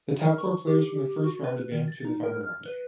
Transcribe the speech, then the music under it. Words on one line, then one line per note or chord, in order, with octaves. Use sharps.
The top four players from the first round advanced to the final round.
A#4
C#6
G4
F#4
B4
D#3
A6
D#4
A#4
F6
B4